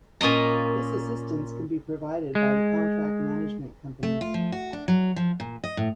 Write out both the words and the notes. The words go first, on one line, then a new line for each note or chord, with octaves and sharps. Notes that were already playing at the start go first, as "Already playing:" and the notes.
This assistance can be provided by the contract management companies.
A#2 C#4 D#5 A#5
G#3
A3
F4
F3
F#4
D4
F#3
F3
A#2
D#5
A2